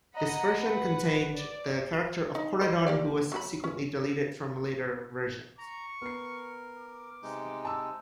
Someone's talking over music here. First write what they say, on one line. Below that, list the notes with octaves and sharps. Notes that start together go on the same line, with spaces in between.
This version contained the character of Coridon who was subsequently deleted from later versions.
D#5 F#5 A#5 B5
B4 F#5
D5
D#4
C5 D#5
A#3 G4 D5
F#3 F#4 B5
C#4
A#5 C#6
B3 A#4 C7
D6
C3 G#3 D#4
A5 E6